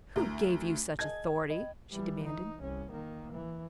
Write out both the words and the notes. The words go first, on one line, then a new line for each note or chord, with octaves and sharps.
"Who gave you such authority?" she demanded.
D2 E4 A#4 A#5
G#4 D#5 A5 G#6
D#5 G5 B5
E3 G3
D#4
C2 C#4
D#3 A#3
E3